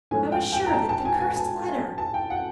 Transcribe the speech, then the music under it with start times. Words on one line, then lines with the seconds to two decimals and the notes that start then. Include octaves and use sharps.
"I was sure of it--the cursed letter!"
0.11 G#2 F3 A3 C#4 G#5
0.32 G5
0.52 G5
0.66 A#5
0.73 A5
0.89 A5
1.05 G#5
1.20 G#5
1.36 A5
1.98 A5
2.14 G5
2.30 F#5